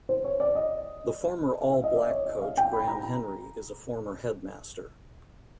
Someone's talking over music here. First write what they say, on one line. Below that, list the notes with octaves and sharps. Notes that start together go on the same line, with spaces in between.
The former All Black coach Graham Henry is a former headmaster.
C5
C#5
D5
D#5
F5
E5
D#5
D5
C#5
D#5
F5
G5
B5
A#5
A#5